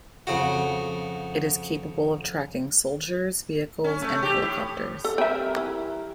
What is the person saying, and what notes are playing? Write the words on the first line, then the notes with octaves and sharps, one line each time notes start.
It is capable of tracking soldiers, vehicles and helicopters.
F2 C#3 F#4
C#4
A3
G4
A2
A4
G3 C4 A#4 E5 G5 G#5
E3